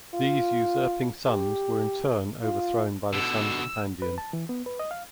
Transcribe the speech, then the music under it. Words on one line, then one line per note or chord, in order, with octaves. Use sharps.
These usurping sons were in turn overthrown by the sons of Pandion.
F4
G4
F4
B2 D3 E6
B4
A5
E3
B3
B4
D#5
F5